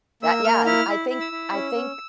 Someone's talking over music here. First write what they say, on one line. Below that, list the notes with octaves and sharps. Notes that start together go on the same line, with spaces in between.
that, yeah, and I think I think,
A#3 E6
A#3 F6
E4 F6
E4
E4
E6
E4
C#4
C#4